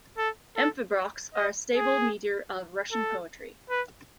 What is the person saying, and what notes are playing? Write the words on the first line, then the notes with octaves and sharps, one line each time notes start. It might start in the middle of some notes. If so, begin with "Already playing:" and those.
Amphibrachs are a staple meter of Russian poetry.
A4
A4
D#5
G#4
A4
B4